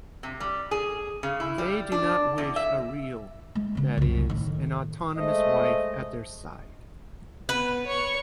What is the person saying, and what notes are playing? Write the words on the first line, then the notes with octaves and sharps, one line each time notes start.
They do not wish a real, that is, an autonomous wife at their side.
C3
G3
G#4
C#3
E4
G3
D4
E2
E5
G#3
C#3 C4
C2 F#2
A2 D#3
G#3 A3 C5 D#5
B3 B4
C#5 C#6